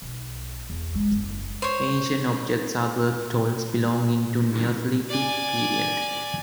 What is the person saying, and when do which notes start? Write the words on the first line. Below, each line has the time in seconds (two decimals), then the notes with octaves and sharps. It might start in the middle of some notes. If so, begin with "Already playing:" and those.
Ancient objects are work tolls belonging to the Neolithic period.
0.02 B1
0.70 E2
0.94 G#3
1.11 F#1
1.62 C5 C#5
5.09 D5 G#5